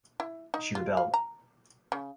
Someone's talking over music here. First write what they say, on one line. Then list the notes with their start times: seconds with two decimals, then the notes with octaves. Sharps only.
She rebelled.
0.20 E4
0.54 D#4
0.75 F4
0.97 F5
1.14 A#5
1.92 C#3